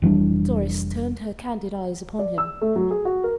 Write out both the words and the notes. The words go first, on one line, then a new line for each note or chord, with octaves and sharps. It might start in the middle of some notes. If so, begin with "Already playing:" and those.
Doris turned her candid eyes upon him.
F1 E3 G3 D4
D5
E6
A3
F#3
G#4
F#4
A#4